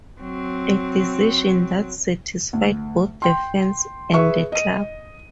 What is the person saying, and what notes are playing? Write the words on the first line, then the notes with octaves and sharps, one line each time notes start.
A decision that satisfied both the fans and the club.
F#3 C4
D2
G5 C6
G#4 B4 E5 C#6
D#5 D#7